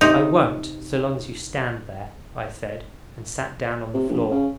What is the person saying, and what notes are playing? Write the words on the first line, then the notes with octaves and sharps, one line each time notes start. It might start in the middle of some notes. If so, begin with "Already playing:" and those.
"I won't, so long as you stand there," I said, and sat down on the floor.
C3 D#4
C3
A#1
C#3